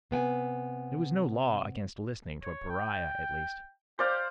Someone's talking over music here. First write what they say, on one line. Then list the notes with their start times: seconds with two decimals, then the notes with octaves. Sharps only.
There was no law against listening to a pariah, at least.
0.11 C3 B3 G5 G#5
2.43 C#5
2.69 G5
3.99 G4 C5 D5 F5